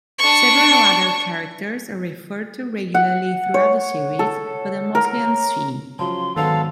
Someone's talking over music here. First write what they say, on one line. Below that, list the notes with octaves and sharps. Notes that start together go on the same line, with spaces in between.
Several other characters are referred to regularly throughout the series, but are mostly unseen.
D4 C#6
F#5
C#5
A4
A#4
C#3 F3 F#3 A5 C6
G#2 D#3 F#3 B3 A4 F5 F7